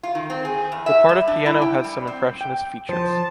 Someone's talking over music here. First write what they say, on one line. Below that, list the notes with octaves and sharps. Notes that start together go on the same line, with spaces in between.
The part of piano has some impressionist features.
F4
D#3
C4
G#4
E2
E5
G3
D4
E4
G5
G3
C4
G5
F3 C5 A5